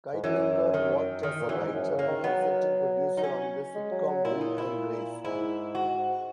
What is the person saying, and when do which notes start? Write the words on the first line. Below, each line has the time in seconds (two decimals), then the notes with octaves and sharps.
Kightlinger worked as a writer and consulting producer on the sitcom "Will and Grace".
0.13 G#2
0.23 F#2 E3
0.74 D#3
1.23 D#3
1.40 A#2
1.49 F#2 E3
1.57 G#2
1.74 F#2
1.90 C#3
1.99 A#3
2.07 D#3
2.24 F#3 B3
3.17 D#4
3.24 C#4
3.75 G#3
3.91 F#3
4.08 F#3
4.25 A#2 E4
4.41 D#4
4.58 E4
5.24 G#2 E4
5.75 F#4